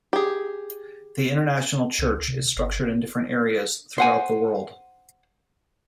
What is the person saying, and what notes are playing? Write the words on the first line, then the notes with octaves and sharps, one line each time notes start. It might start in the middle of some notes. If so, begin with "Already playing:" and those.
The international church is structured in different areas throughout the world.
G4 G#4
C#2
C3
G1
C5 F#5 G#5